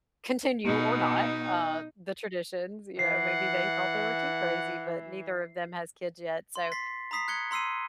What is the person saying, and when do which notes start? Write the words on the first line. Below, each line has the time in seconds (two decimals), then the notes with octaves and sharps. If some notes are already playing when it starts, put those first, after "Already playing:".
continue or not, uh, the traditions, you know? Maybe they thought they were too crazy, but neither of them has kids yet, so
0.66 B2 D#4
2.99 E3 F#5 C7
6.56 C6
6.72 A6 B6 C7
7.11 A#5 B5 D#6 B6 C7
7.28 F#6 G#6 C#7 G7
7.51 A#5 C6 E6 C7 D#7